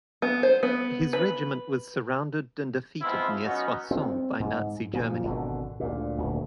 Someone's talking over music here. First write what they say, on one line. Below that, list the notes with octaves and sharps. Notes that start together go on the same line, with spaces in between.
His regiment was surrounded and defeated near Soissons by Nazi Germany.
B3
C5
B3
B4
F3 G#3 B3 C4 E4 F4
F#3 B3 C#4 D#4 F#4
C4
G#2
A#2 F3
G#1 B2 D3
D2 A#2
D#1 D2